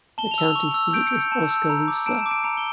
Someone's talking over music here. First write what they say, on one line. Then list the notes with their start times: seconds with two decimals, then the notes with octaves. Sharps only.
The county seat is Oskaloosa.
0.18 A5 G7
0.31 F7
0.38 E6
0.44 F7
0.55 C#6
0.74 E6
0.93 G6 D7
1.07 C#7
1.13 G6
1.18 C#7
1.32 A5
1.50 E6
1.69 A#5
1.88 D6
2.06 A5 D7
2.19 E7
2.26 D6
2.31 D7
2.44 A#5 C#7
2.57 G7